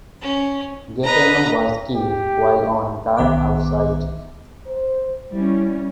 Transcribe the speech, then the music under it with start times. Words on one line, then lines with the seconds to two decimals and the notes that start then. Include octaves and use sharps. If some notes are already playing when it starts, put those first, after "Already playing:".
Gaetano was killed while on guard outside.
0.21 C#4
1.05 B4 D#5 A#5
1.95 G4
3.17 B1 D#3 B3 E5 D6
4.67 C5
5.33 G3 C#4 E4